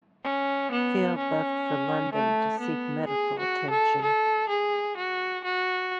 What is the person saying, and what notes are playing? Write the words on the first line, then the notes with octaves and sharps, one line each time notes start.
Field left for London to seek medical attention.
C#4
B3
C#4
A3
B3
G#4
F#4
A4
A4
G#4
F#4
F#4